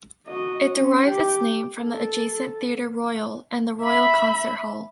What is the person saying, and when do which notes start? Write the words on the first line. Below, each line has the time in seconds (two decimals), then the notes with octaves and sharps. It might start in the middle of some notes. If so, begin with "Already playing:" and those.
It derives its name from the adjacent Theatre Royal and the Royal Concert Hall.
0.27 F#4 D#5
0.75 C#4
1.07 G4
1.80 A4
3.82 E5 B5